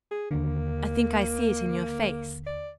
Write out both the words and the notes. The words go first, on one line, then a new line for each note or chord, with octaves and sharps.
I think I see it in your face.
G#4
D#2 D3 A#3
D5